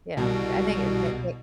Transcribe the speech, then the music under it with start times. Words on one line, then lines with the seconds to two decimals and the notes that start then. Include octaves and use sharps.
you know. I think it it it
0.17 C2 B2